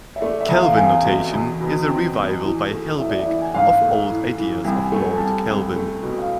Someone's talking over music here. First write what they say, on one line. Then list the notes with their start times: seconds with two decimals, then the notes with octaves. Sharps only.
Kelvin notation is a revival by Helbig of old ideas of Lord Kelvin.
0.16 E5
0.21 A3 D5
0.41 E5
0.49 E2
0.59 F5
0.72 F5
0.76 C4 G#5
1.05 B2
1.33 E2
1.61 B2
1.87 C4
2.16 B2
2.43 E3
2.70 A3
2.99 E3 E5
3.09 D5
3.20 E5
3.26 E3
3.42 G#5
3.54 G#2 F5
3.81 A3
4.10 E3
4.37 E3
4.64 C2 G#5
4.83 G#5
4.92 A3
5.02 G#5
5.16 A5
5.20 C2 G#5
5.47 C2
5.76 A3
6.03 B2
6.18 F5